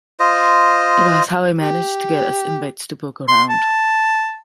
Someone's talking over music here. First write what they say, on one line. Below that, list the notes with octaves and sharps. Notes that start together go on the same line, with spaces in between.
It was how I managed to get us invites to poke around.
F4 C5 D#5
G4
C6
A5